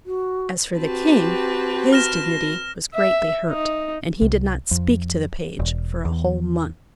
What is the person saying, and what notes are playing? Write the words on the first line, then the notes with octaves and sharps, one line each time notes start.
As for the king, his dignity was greatly hurt, and he did not speak to the page for a whole month.
F#4
C4 F#4 G4 B4 A5
F6 A#6 E7
E5
D#4
C2
F2
E1
E2